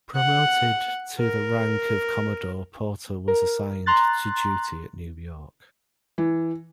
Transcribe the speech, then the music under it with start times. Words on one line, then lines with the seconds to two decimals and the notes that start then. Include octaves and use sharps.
Promoted to the rank of commodore, Porter was assigned to duty at New York.
0.15 F#5
1.19 A#4
3.28 A#4
3.86 A#5 C6 F#6 A6
6.18 E3